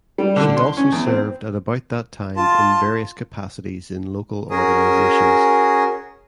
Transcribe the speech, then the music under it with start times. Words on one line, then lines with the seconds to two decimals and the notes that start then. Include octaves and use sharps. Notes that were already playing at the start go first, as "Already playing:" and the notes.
She also served at about that time in various capacities in local organizations.
0.18 G3
0.36 D3
0.57 C6
0.77 C#4
0.92 E2
1.06 C4
2.36 F4 A5
4.50 C#4 F#4 G#4 A#4 D#6